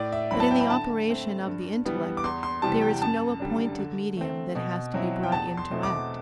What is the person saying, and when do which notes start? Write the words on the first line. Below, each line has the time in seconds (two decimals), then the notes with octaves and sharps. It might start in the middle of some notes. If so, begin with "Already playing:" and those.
But in the operation of the intellect there is no appointed medium that has to be brought into act.
Already playing: A2 D5
0.12 E5
0.31 F#3 C4 E4 B5
0.40 A5
0.51 G5
0.61 B5
0.70 D3 A5
1.09 A3 C4
1.46 G2
1.85 E3 G3 B3
2.17 D6
2.24 E2 C6
2.43 C6
2.62 C3 E3 G3 A5
2.81 G5
3.02 F#2 A5
3.40 D3 G3 D4
3.78 D3
4.17 A3 C4
4.55 B2
4.94 F#3 C4 E4
5.23 G5
5.32 E2 A5
5.58 C6
5.71 B2 A3 C4 E4
5.83 D6